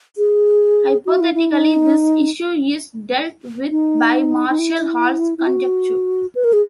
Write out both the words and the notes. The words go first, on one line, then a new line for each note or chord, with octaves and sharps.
Hypothetically this issue is dealt with by Marshall Hall's conjecture.
G#4
F#4
E4
E4
D#4
D#4
D#4
E4
E4
F#4
B4
A#4
G#4